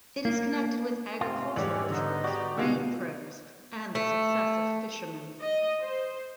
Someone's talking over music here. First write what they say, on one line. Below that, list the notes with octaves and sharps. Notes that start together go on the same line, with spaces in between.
It is connected with agricultural rituals, rain prayers, and the success of fisherman.
A#3
G#2 C3 C4 F4
G#2 E3 G3 C#4 G4 C#5 D5
D3 B3 D#4 D#5
F#4 G4 D5
B2 D3 G3 G#3 D#4 F4 F#4
A3
D#5
C5